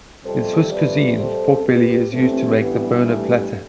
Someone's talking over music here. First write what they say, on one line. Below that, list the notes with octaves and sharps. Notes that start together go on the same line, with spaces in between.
In Swiss cuisine, pork belly is used to make the "Berner Platte".
F2 C3 G3 A4 C5
B4 D5
A4 C5
G4 B4
G2 E3 G3 A3 C4
B3
A3